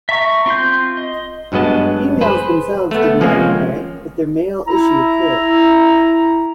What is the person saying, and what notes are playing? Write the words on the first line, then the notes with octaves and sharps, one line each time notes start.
Females themselves did not inherit, but their male issue could.
E5 A5 A#5 C#6
C4 F4 C6 G6
D#5
G2 F#3 G#3 B3 D#5 A5
G#4 B4 C5
A3 B3
F3 G#3 A#3 C4 C#4
E4 A#5